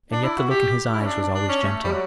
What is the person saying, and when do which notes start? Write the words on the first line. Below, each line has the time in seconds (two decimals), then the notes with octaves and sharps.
And yet the look in his eyes was always gentle.
0.12 D4
0.23 E4
0.37 F#4
0.50 G4
0.92 E4
1.01 C#4
1.06 D4
1.21 D4
1.34 D4
1.49 C#4
1.63 A3
1.84 G3
1.91 F#3